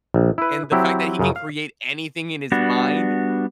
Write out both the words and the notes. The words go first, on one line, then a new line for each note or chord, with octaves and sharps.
and the fact that he can create anything in his mind,
A#1
E4 B4
F#3 C4 E4 G4
F#2 C#3
F5
G3 B3 D4 F#4